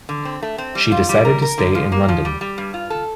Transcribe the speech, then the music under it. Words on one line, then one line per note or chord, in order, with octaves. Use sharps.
She decided to stay in London.
D3
C4
A3
C4
G3
F4
G3
A#4
A#4
D3
F3
A#3
F3
G3
G3
G2
F4
A4